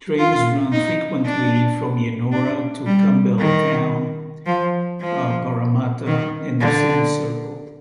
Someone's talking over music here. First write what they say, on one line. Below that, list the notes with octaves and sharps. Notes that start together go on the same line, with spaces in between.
Trains run frequently from Yennora to Campbelltown, Parramatta and the City Circle.
F4
D#4
D4
D4
G3
D#3
F3
F3
D#3
D3